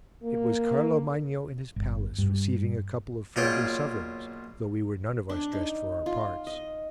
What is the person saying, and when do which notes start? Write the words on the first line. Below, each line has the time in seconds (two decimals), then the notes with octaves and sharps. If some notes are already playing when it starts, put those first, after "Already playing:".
It was Carlo Magno in his palace receiving a couple of friendly sovereigns, though we were none of us dressed for our parts.
0.23 A#3
1.76 G1
2.18 G2
3.36 B1 A#2 F4 G#4 C#5 G5
5.30 D4
5.53 D#4
6.06 F4
6.47 D#5